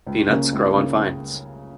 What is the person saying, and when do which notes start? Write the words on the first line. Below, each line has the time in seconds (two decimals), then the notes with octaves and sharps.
Peanuts grow on vines.
0.07 C#2
0.29 C#3 A#3 C#4
0.53 C#2
0.76 C#3 A#3 C#4